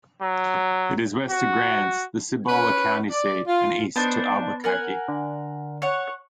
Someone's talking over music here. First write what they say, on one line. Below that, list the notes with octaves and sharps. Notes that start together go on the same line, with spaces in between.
It is west to Grants, the Cibola County seat, and east to Albuquerque.
F#3
F#4
C#4 B4
D5
F4
B3 D4 D#4 C5
A#4 F#5 G#5
D3
C#5 F#5